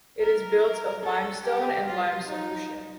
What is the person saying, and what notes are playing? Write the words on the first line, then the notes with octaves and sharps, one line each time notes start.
It is built of limestone and lime solution.
A#4
A4
G4
F4
D#4